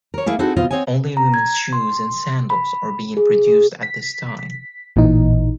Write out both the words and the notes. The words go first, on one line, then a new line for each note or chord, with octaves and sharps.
Only women's shoes and sandals are being produced at this time.
A#4 C#5
A3 A#3 E4 G#4
C4 D#4 E4 F#4 G#4 A4
D2 B2 C4 F4 D#5
C4 C#5 D#5 F#5 G#5
A#5
G#6
C6
B5
G#4
G#4
B6
A1 A#2 E3 D#4